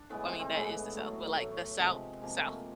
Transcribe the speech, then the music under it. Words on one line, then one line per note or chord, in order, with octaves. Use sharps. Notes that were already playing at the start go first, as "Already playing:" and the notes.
Well, I mean, that is the South, but, like, the South, South.
Already playing: D4
A2 E3 G#3 B3
C4
C4
A2 E3 G#3 B3
A2 F#3 A3
A2 F#3 A3
C3 F3 G#3
C3 F3 G#3 A#3
A3
A#3